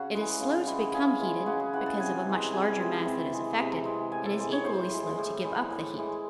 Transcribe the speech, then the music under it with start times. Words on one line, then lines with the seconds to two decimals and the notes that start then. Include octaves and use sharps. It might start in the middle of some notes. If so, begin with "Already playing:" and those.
It is slow to become heated, because of a much larger mass that is affected, and is equally slow to give up the heat.
Already playing: C#3 F#4
0.15 E3 G#3
0.41 C#3
0.67 E3 G#3
0.94 C#3 G#4
1.20 E3 G#3
1.46 C#3 F#4
1.60 G#4
1.73 E3 G#3 F#5
1.86 A5
2.00 C3 G#5
2.27 E3 G#3
2.53 C3 G#5
2.79 E3 G#3
3.05 C3 A5
3.32 E3 G#3
3.59 C3
3.85 E3 G#3
4.12 A2 G#5
4.25 A4
4.38 E3 G#3 C5
4.52 C#5
4.65 A2 C5
4.91 E3 G#3
5.18 A2
5.44 E3 G#3
5.70 A2
5.98 E3 G#3